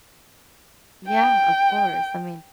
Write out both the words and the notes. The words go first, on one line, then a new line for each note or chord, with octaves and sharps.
Yeah, of course. I mean,
G5